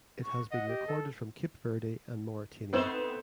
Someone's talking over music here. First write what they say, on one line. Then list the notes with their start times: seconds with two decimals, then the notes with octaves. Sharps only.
It has been recorded from Cape Verde and Mauritania.
0.24 C#6
0.51 D#5 F#5
0.68 G4
0.87 A4
2.73 A3 B3 C4 D#4 C5 F#7